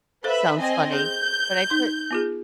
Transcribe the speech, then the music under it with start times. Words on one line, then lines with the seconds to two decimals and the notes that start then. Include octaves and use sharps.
sounds funny, but I put
0.24 A4 B4 C5 E5 F5 B5
0.59 C4 D#5 G#5
0.93 G#4 G6
1.70 D#4 C6
2.11 B3 F4 G#4